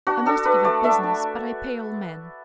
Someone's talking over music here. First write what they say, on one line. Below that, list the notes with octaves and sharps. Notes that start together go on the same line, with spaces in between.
I must give up business, but I pay all men.
D4 F#4
D4 A4
D4 B4
A3 D5
D4 E5
D4